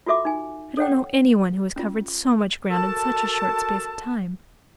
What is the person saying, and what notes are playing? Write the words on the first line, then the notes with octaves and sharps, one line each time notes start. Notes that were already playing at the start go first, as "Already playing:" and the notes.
I don't know any one who has covered so much ground in such a short space of time.
F4 F#4 A4 E5 D6
D#4 G#5
A4 C#5 F#5 G5
C#4 F4
F#4 A4 A#4 A5